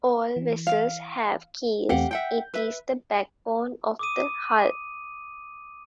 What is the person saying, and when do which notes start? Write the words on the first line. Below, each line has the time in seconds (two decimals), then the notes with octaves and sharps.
All vessels have keels, it is the backbone of the hull.
0.36 E3
0.67 F5
1.89 E2 A3 C4 G4 F5 F#5
2.11 E5 F#5 G5 G6
2.54 B4 E5
3.99 D6 D#6 D#7